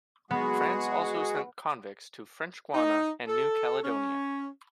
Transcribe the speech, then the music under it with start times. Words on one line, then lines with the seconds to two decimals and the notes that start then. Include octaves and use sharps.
France also sent convicts to French Guiana and New Caledonia.
0.31 G#3 B3 F#4 G#4
2.74 D#4
3.28 A4
3.83 C#4